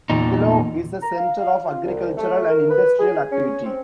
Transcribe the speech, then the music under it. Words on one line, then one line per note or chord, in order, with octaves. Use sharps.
Silao is a center of agricultural and industrial activity.
E2 A#2 D#4
A#5
F5
F5
F4
C2
A3
A#4
B4
G#4
C#4
C4